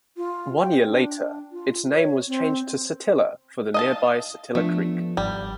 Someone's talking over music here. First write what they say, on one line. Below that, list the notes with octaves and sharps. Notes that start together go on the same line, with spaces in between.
One year later, its name was changed to Satilla for the nearby Satilla Creek.
F4
G5
D4
F4
C#5
C4
D#5 F5 A5
F3 A3 B3 D4
G#1 G3